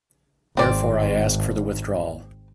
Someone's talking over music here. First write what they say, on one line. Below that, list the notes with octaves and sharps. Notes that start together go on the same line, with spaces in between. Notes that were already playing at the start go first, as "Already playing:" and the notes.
Therefore I ask for the withdrawal.
G#1 C4 D5